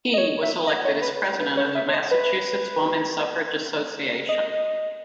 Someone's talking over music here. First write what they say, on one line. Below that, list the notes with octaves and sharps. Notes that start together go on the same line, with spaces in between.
He was elected as president of the Massachusetts Woman Suffrage Association.
D#5
C#5
E5
D#5
C#5
B4
B4
C#5
E5
C#5
D#5
B4
D#5